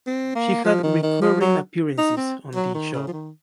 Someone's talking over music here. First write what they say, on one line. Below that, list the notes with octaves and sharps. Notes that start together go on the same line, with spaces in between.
She had recurring appearances on the show.
C4
A#3
F3
D#3
D#3
F3
F#3
D#4
C4
F#3
D#3
C#3
F3
D#3